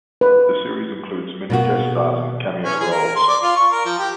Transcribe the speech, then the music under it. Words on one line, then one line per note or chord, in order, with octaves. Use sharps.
The series includes many guest stars in cameo roles.
B4
B2 A#3 F#4
C#4
G#4
A#4
C6
D5
F4
C#6
A#4
F3
G4